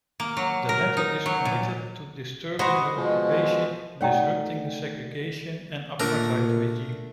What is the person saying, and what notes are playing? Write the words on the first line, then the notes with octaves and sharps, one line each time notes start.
The latter is committed to 'disturbing the occupation, disrupting the segregation and apartheid regime'.
A#3
F#3
A#4
D#4
F#3
A#2
F#4 B4 C5 D#5 F#5 A#5
B2 F3 G#3
A3 D#4 C#5 D5 F#5 G5 A#5
A#2 D3 A3 D4 A#4